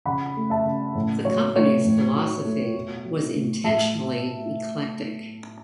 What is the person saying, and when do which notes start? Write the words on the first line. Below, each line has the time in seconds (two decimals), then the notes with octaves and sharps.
The company's philosophy was intentionally eclectic.
0.06 C#3 F#5 B5
0.36 A3
0.50 E5 A5
0.66 C#3
0.95 A2
1.25 F#3 C#5
1.56 A3 C#5
1.85 A2
2.15 F#3
2.45 A3
2.74 B2
3.05 F#3
3.35 A3
3.64 A2 E5 A5